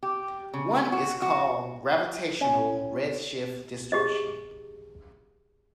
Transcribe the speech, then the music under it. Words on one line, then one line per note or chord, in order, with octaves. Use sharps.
One is called gravitational redshift distortion.
G4
C#3
F#4
F#4
C#4
G4 G#4 D#5